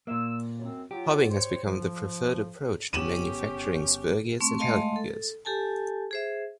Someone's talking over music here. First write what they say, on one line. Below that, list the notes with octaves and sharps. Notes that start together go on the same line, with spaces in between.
Hobbing has become the preferred approach to manufacturing spur gears and helical gears.
A#2 A#3 E6
F#2 C4
F#3 F4 G4
C5 C#5
F3
G1 C#3 B3 C#4 G4 D#7 E7 F#7
A3 C4 C6 C#6
G#3 A3 D#5 F5 A5 C6
A4
G4 A4 G#5 A5
G#4 C5 E5